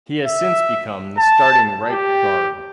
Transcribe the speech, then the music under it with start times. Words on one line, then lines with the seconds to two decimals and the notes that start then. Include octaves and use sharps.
He has since become the starting right guard.
0.24 E5
1.18 A5
1.90 G4